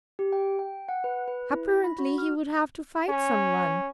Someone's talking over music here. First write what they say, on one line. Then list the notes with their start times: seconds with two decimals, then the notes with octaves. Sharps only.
Apparently, he would have to fight someone.
0.19 G4
0.32 G5
0.59 G5
0.89 F#5
1.04 B4
1.28 B4
1.52 E4
1.69 A#6
1.84 B5
1.98 F#4
2.18 F6
3.09 C#4